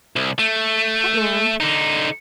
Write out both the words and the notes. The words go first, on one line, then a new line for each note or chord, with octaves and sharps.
"What man?"
C2
A3
D3 D#4